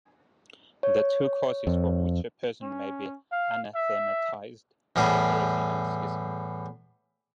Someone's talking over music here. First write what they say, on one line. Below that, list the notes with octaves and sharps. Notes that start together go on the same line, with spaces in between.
The two causes for which a person may be anathematized are heresy and schism.
C#5
F2
C#4
F5
E5
E2 A2 G3 G#4